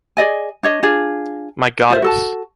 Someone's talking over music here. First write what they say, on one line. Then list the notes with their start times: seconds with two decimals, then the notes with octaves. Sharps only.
My goddess.
0.17 G#4 D5 D#5 G#5
0.63 D4 C#5 D#5
0.83 D4 F4 G#4
1.90 F4 C5 E5
2.02 F#4 A4 A5